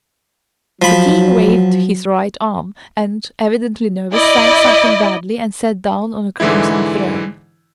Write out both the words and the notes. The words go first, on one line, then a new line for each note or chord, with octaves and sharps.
The king waved his right arm and, evidently nervous, sang something badly and sat down on a crimson throne.
F3 F#3 B5
E4 D5 D#5
G#2 D3 E3 G#3 E4